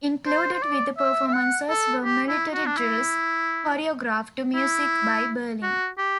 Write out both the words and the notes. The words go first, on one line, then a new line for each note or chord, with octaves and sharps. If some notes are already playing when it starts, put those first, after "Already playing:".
Included with the performances were military drills choreographed to music by Berlin.
C5
C5
D5
E5
E5
F#5
A4
G4
E4
F#4
D4
E4
E4
F#4
G4